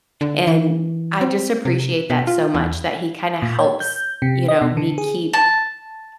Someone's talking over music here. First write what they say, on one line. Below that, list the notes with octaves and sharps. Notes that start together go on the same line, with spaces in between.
and I just appreciate that so much that he kinda helps, you know, me keep,
D3
E3
C4
C3
B2
F4
E2
A#2
C#5
G6
C3
D#5
B2
D3
G#4
A5